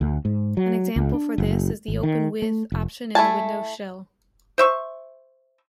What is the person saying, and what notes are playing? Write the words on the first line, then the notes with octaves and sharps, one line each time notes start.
An example for this is the "Open With" option in the Windows Shell.
D2
G#2
F#3
C#2
D4
F#1
G#1
D#3
A3
F1
A3 E4 G#5 A5
C5 E5 C#6